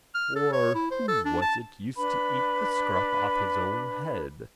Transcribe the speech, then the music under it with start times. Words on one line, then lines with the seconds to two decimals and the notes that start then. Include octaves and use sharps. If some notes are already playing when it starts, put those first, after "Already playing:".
Or who was it used to eat the scruff off his own head?
0.15 F6
0.36 A4
0.53 C#5
0.75 E4
0.91 C5
1.08 A4
1.26 D4
1.42 A5
1.96 D4 B4 B5